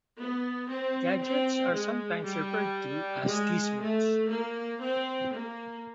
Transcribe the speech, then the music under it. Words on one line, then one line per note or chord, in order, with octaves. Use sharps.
Gadgets are sometimes referred to as "gizmos".
B3
C4
C4
G#3
G3
G#3
A3
A#3
C4
A#3